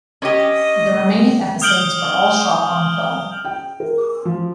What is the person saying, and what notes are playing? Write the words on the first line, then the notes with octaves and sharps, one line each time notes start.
The remaining episodes were all shot on film.
C#4 G4 D#5
D#6 F6 G6 D7 F#7 G7
G5
A#4
F3